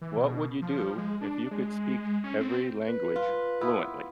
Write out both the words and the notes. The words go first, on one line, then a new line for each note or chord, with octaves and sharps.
what would you do if you could speak every language fluently?
E3
B2
F3
G#3
D4
G#3
C#4
C4
B4
F4
B3 E4 F4